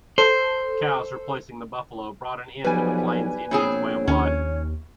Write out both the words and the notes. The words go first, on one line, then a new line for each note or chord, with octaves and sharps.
Cows replacing the buffalo brought an end to the plains Indians way of life.
A4 C5
B1 F3 G3 B4 G#5
A#1 B2 C4 G#4 C#5
D#2 C#4